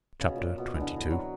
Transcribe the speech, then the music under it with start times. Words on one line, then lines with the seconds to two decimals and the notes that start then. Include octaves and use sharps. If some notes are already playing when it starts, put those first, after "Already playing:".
Chapter XXII.
0.20 C#3
0.28 B2
0.36 A#2
0.58 B2
0.75 E3
0.80 D3
0.96 E3
1.11 F#3